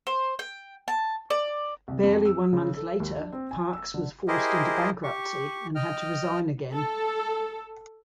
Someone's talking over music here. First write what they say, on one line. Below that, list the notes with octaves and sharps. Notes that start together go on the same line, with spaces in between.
Barely one month later Parkes was forced into bankruptcy and had to resign again.
C5
G5
A5
D5
C2
F2
E6
C#3
A4
D#2
D4
C4
G#5
E6
D3
E4 G4 G#4 A#4 C5 D#5
G4 C#6
D#5 G5 F6
A4